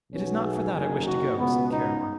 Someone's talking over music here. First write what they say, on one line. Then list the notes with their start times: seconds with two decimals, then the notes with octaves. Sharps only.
"It is not for that I wish to go," said Caroline.
0.10 B1 B2 C#4
0.42 G#4
0.74 F#1 F#2 D#3 G#4
1.06 F#4
1.38 C#2 B2 B3
1.70 D#4